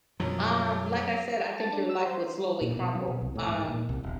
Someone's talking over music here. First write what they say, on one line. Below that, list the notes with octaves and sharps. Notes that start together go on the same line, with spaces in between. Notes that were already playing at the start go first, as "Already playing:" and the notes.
Um, like I said, I think your life would slowly crumble. Um,
F#2 B2 F3 F#3
A5
D4
E6
C5
A#2
B2
F#3
B2
C2
A2
G#2
A#2
C2
E1